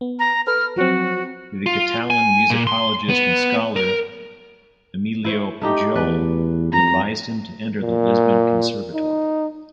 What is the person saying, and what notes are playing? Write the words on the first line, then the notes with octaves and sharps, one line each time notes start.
The Catalan musicologist and scholar Emilio Pujol advised him to enter the Lisbon Conservatory.
B3
A#5
A4 B4 F6
F3 F#3 C4 F#4
F4
G#5
A#2
C6
B3
A#4
E4 C5 C#5
A3 D#4 G4
E2 B4 D5
F2 A#5
A#2
D#4